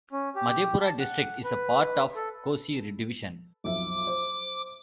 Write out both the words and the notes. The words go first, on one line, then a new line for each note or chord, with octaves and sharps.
Madhepura district is a part of Kosi division.
C#4
G4
A5
F#5
B4
A4
B1 F2 E5 D6
C5